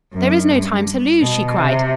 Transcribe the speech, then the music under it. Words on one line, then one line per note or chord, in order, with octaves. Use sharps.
"There is no time to lose," she cried.
F#2
G2
B2
C3